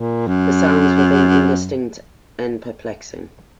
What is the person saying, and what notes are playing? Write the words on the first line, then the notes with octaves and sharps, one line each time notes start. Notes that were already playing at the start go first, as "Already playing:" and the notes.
The sounds within indistinct and perplexing.
Already playing: A#2
F#2